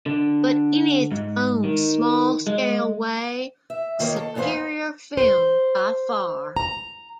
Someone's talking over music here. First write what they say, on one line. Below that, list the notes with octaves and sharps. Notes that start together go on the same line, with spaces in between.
But in its own small-scale way a superior film by far.
D3
G#2
D#3
G#3
E5
D#3 A#3 A#4 C#5 D#5
A4
E2 E3 B3 G#4 C5 F5
C5
A#5